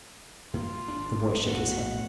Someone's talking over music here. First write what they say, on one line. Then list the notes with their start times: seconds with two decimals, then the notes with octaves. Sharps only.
The boy shook his head.
0.54 F#2 A#3 F4
0.88 G#1 D4
1.46 E1 A#1 A2 B3 F#4 F#5